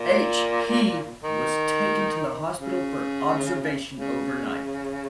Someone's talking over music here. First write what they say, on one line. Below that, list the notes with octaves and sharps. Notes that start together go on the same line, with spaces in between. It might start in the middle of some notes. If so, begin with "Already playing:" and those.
H He was taken to the hospital for observation overnight.
Already playing: A#2
D#3
C#3
C#3